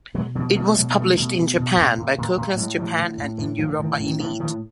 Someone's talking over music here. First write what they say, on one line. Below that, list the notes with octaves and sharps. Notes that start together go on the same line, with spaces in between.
It was published in Japan by Coconuts Japan and in Europe by Elite.
B2 F#3 G#3
B2 F3 G3
A#3
B2 G3 A3
A3
B2 F#3 G#3
A#3
B2 G3 A3
B2
B2
B2
A2
A2
A2
A2
A2 F#3 G#3
A2 F3 G3
A2 D3
A2
A2 D3 E3
A2 D#3 F3
D3
A2 D#3
D3
A2
D#3
A2 D3 E3
A2 D#3 F3